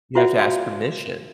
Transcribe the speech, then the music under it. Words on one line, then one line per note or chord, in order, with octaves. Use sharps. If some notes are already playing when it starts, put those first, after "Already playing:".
You have to ask permission.
F4 F#4 C5 C#5 E5 F#5
C5 F5 C6
D5